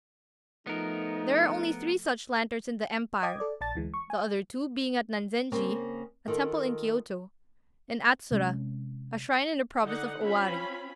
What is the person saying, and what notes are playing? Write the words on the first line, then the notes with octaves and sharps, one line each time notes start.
There are only three such lanterns in the empire; the other two being at Nanzenji--a temple in Kiyoto, and Atsura, a shrine in the province of Owari.
F3 A3 B3 D#4 A#4
D#5 G5 D6 D#6 G#6
A4 D5
A#1 D5 A5 A6
D2 E3 G#3
C#6
G#5
C#3 A#3 C4
D#3 F4 A4
C3 G#3 C4 C#4
D3 D#4 D#5 F#5
C4 C#4 F4 B5